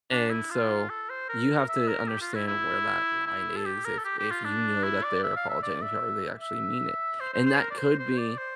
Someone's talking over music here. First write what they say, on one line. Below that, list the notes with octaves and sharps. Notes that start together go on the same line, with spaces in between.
and so, you have to understand where that line is, if if you know that they're apologizing to you they actually mean it, and that could be,
D4
E4
F4
A4
C5
A#4
E5
A#4
G4
F4
E4
E4
E4
A4
G4
A#4
A4
G4
G4
F4
D4
E4
D5
E5
F5
E5
D5
E5
E5
C5
C5
C5
A#4
D5
C5
C5
D5
C5